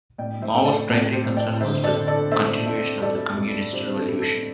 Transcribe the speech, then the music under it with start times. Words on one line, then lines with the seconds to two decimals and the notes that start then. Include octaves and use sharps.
Mao's primary concern was the continuation of the communist revolution.
0.18 A2 D5 G5
0.42 C5 E5
0.54 A3 E5
0.65 A4 D5
0.89 A2 A4 D5
1.13 G4 C5
1.25 A2
1.37 D5 G5
1.60 D3 C5 E5
1.84 A4 D5
1.96 D3
2.07 A4 D5
2.32 A3 C5 E5
2.67 A3
3.02 G3 A4 D5
3.38 G2
3.73 C4 G4 C5
3.96 A4
4.08 G3
4.20 A4